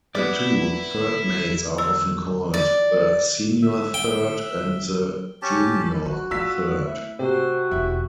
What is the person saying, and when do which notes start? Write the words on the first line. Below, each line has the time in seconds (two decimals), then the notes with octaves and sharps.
The two Third Mates are often called the Senior Third and the Junior Third.
0.15 B3 E4 D5
1.78 E6
2.54 D5
3.62 E5
3.94 G5
5.42 C#4 G4 A5
6.06 F3 F#4
6.31 A3 F4 E6 B6
6.86 E4
7.19 C3 F#4 C5
7.71 E1 F2 E4